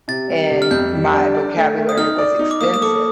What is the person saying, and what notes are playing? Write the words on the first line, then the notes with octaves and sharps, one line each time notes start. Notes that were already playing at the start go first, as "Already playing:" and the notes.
and my vocabulary was extensive.
C3 A6
G3
C3
F6
F2 G6
G3
D4
D5
A3
A3
D#6
D#4 F6
D5
D#4
D6
A#3 D#6
D#6
A4 D6